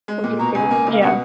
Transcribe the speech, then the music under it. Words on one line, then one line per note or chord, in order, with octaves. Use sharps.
Would you agree with yeah.
G#3
A#2
B2 A#5
C#2 G#5
A#3
C#2
F5
B2 F#5